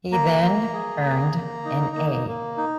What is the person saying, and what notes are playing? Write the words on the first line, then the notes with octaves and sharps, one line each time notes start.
He then earned an A.
A#3 A#5
A#3
G#4
A#3
A#3
D#4
A#3
A#3
D#4